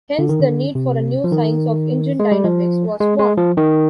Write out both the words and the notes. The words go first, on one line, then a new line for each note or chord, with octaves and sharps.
Hence the need for a new science of engine dynamics was born.
D3
D#3
D3
C3
F3
D#3
G#3
G3
F3
G#3
G#3
F3
D#3